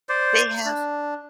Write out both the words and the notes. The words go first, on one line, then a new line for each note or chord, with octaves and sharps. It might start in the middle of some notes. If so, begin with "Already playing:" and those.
they have
C5 D5
D4